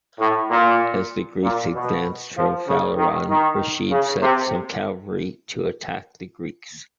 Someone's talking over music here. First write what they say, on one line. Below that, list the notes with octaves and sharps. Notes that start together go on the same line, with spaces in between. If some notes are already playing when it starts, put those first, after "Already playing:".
As the Greeks advanced from Phaleron, Reshid sent some cavalry to attack the Greeks.
A2
A#2
A#2
B2
F3
C#3
D#3
D#3
C#3
C3